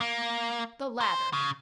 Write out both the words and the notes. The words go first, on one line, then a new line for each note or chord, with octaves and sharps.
The ladder!
A#3
C5
C#3